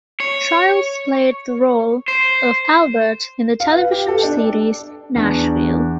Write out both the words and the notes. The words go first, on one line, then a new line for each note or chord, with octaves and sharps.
Childs played the role of Albert in the television series "Nashville".
C#5
C5
F5
B4
G4
A4
D4
E2 D4